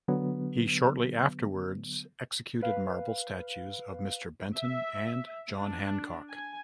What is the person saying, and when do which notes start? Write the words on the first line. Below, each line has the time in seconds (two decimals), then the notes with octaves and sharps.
He shortly afterwards executed marble statues of Mister Benton and John Hancock.
0.08 D3 F#3 B3
2.62 B4 F5
4.54 E5
5.56 D4
6.30 G#5